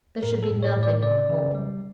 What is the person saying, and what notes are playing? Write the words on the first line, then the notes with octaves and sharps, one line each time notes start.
There should be nothing in the home.
A2 A#4
A4
A2
C#5
A2
D5
C#3 D5
C#3
G3